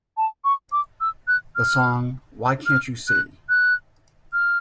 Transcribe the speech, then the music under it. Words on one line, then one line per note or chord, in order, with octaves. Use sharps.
The song Why Can't You See?
A5
C#6
D6
E6
F#6
F6
F6
F#6
F#6
F6